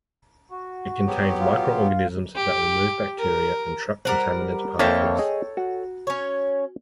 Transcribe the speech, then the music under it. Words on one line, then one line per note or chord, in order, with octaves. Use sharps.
It contains microorganisms that remove bacteria and trap contaminant particles.
F#4
F#3 B3 G4
F4
G4
A#4
G3 A#4 C5 F#5
F2 A#3 A4 C#5 E5 G5
G#4 D#5
F#4
C#4 C#5